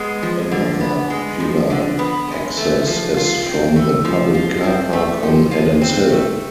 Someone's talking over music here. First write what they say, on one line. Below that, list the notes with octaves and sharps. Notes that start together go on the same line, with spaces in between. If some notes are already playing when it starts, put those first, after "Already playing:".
Another popular access is from the public car park on Adams Hill.
Already playing: G#3 B3
F3
D3
B3
G#3
F3
D3
B3
G#3
A3
F3
F4
C4
A3
F3
F4
C4
A3
F3
F4
C4
A3